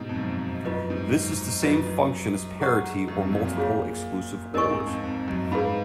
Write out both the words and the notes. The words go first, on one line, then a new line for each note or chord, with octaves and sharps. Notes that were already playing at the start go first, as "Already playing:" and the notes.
This is the same function as parity or multiple exclusive ors.
Already playing: G#2 B2
F2
F#2
F#2 F4 B4 D#5
G#2
F#2 F4 B4 D#5
F#2
G#4 D#5 F#5 A#5 C#6
F#2
F2
F#2
A#2
F4 G#4 C#5 F5
G#2 A#4 D#5 G#5 C#6
G#2
F2
F2
F#2
G#2 G#4 B4 F5 B5